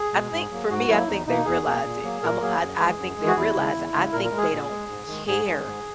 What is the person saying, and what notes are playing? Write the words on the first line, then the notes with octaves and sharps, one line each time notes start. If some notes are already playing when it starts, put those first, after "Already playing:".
I think for me, I think they realize it, I'm a I I think they realize it, I think they don't care
Already playing: G#4
B2 G#3
G#2
F#3 A#3
G#2 F#4
F#3 A#3 E4
E2 D#4
B2 A#3 D#4
E2 G#4
B2 A#3
A#2
F#3 A#3
A#2 A#4
F#3 A#3 G#4
F#2
E3 G#3
F#2
E3 G#3
F#4
E2 E4
C#3 G#3
E2
C#3 G#3
A#2 A#4
A#4
G#3
G#4
A#2
G#3
G#2
D#3 G#3
G#2 G#4
D#3 G#3
G#2